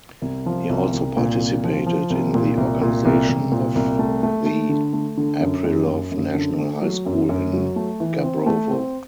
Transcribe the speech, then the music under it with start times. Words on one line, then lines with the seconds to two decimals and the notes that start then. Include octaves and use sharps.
He also participated in the organization of the Aprilov National High School in Gabrovo.
0.22 C2
0.46 F3
0.69 C2
0.93 C2
1.17 A#2
1.40 C2
1.64 F3
1.86 F3
2.10 C2
2.35 A#2
2.57 C2
2.82 A#2
3.05 C2
3.29 C2
3.52 A#2
3.75 C2
3.99 A3
4.23 A3
4.46 A3
4.69 D3
4.93 A3
5.17 D3
5.40 F#2
5.64 F#2
5.87 F#2
6.12 F#2
6.34 D3
6.58 A3
6.82 F#3
7.06 F#2
7.29 F#2
7.53 F#3
7.76 A3
8.00 E3
8.23 C4
8.46 A3
8.71 C4